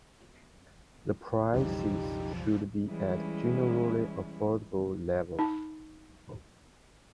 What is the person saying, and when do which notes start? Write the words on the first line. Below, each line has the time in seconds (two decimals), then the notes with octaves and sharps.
The prices should be at generally affordable levels.
1.54 B1 F2 C#3 E3 F3 G3 D#4 G4
2.87 E3 G3 G#3 C#4 E4
5.39 D#4 A5